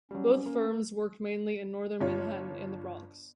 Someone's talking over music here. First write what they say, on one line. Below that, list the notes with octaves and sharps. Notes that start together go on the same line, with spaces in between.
Both firms worked mainly in northern Manhattan and the Bronx.
F#3 G3 C#4
A#3
G1 F4 C#5